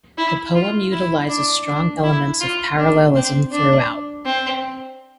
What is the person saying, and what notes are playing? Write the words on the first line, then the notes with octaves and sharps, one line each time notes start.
The poem utilizes strong elements of parallelism throughout.
E4
F4
E4
D4
D4
E4
F4
D4
C4
D4
C4